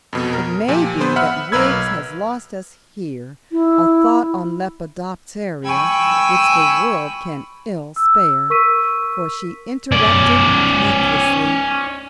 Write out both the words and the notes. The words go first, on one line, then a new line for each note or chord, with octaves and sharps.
It may be that Wiggs has lost us here a thought on lepidoptera which the world can ill spare; for she interrupted breathlessly.
F2 B2
A#4
A#2 F3 G4 G#5
B3 B4 C5
E5 F#5 B5 F6
B1 A#4 B4 B5 E6 G#6
E4
G5 G#5 B5 C#6 E6
E6
A#4 C#6 E6 B6 D#7
C#4 D5